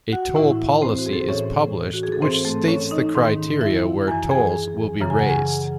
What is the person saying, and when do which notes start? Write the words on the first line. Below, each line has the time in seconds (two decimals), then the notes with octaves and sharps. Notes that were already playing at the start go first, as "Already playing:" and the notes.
A toll policy is published which states the criteria where tolls will be raised.
0.12 F#4 F#5
0.36 A2 E3 E4 E5
0.82 C4 C5
0.99 F#4
1.06 G#4
1.13 A4
1.21 C5
1.29 A2 E3 C#4 C#5
1.93 F#4
2.03 G#4
2.12 A4
2.21 G#2 E3 C4 C5
2.45 A3 A4
2.68 C#4 C#5
2.91 D#4 D#5
3.14 G#2 D#3
3.61 E4 E5
4.08 F#2 E3 G#5
4.31 G#4 G#5
5.00 F#2 C#3 E3
5.10 G#5
5.19 F#5
5.29 G#4 G#5